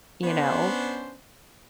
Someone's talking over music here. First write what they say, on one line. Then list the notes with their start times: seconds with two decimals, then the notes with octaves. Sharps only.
You know?
0.24 B3 C#4 D4 C5